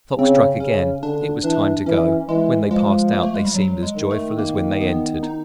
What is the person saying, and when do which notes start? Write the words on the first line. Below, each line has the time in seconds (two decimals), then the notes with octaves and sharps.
The clock struck again; it was time to go; when they passed out they seemed as joyful as when they entered.
0.18 C#3 C4
0.60 C#3 C#4
1.02 D3 D4
1.44 E3 D4
1.86 E3 C#4
2.28 E3 G#3
2.70 F3 G#3
3.13 A#3
3.23 A3
3.34 G#3
3.44 G3
3.55 F#3
3.83 G#3
3.96 D#3
4.11 A3
4.39 A#3
4.81 B3
5.23 D#4